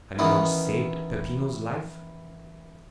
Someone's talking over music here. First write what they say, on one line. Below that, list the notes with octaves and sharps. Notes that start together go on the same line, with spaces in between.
"Have you not saved Peppino's life?"
D#3 E3 B3 C#4 E4